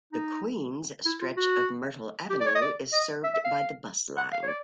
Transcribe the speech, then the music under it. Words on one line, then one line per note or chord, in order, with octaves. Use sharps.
The Queens stretch of Myrtle Avenue is served by the bus line.
D#4
E4
F4
F#4
G4
D5
C#5
D#5
D5
D#5
E5
E5
F5
F#5
F5
C#5
D5